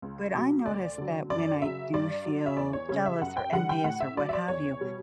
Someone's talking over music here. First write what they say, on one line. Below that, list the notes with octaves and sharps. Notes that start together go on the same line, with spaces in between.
But I noticed that when I do feel jealous or envious or what have you,
C#2
B2 F#3
D2 D5
D3 F#3
F#2 D5
C#3 F#3 E5
G2 D5
F#3
E5
E2 D5
C#5
C#3 G3 C#5
E5
F#2 F#5
G5
D3 G3 F#5
G5
A2 F#5
E5
F#3 D5
E5
D5
E2 C#5
B2 G3